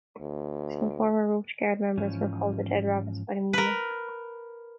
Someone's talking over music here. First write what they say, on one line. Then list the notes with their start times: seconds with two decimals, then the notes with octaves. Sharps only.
Some former Roach Guard members were called the Dead Rabbits by the media.
0.21 D2
1.98 G#2 E3 F3 C#4
3.53 A#4 B4